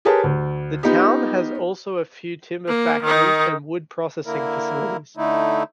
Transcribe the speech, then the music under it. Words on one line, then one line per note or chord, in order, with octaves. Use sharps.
The town has also a few timber factories and wood processing facilities.
G4 G#4 A#4 B4 C#5 A5
D2
B3 D#4 F4 G4
A#3
D#3 D#4
D3 A#3 E4 A#4
D3 A3 D#4 E4